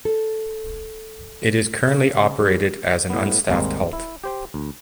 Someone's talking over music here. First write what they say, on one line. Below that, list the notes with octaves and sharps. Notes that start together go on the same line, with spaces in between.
It is currently operated as an unstaffed halt.
A4
C#3
G3
A2 B3
G#1 D#2 G3 G#3 C4 A#4
E4
G4 C5 G5
D2